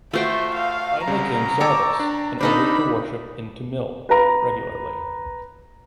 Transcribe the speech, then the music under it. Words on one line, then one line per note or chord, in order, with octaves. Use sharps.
Finally king saw this and ordered to worship in Tamil regularly.
A3 F4 F#4 C5 E5 G5
F5
C2 C#3 A#5
C#5 G5 A5 D6 E6
D4
C4 D4 D#4 A4 A#4 C5 B5
B4 A#5